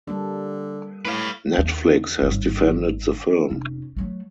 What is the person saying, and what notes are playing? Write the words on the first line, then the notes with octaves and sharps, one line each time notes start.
Netflix has defended the film.
D3 G3 A#3 A4
A2 B4 F5
D#2
G#1 G2
F1 C#4
F#3 A3